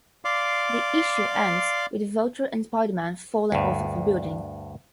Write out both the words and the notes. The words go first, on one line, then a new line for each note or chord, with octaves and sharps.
The issue ends with the Vulture and Spider-Man falling off of a building.
D5 F5 C6 D6
D2 G2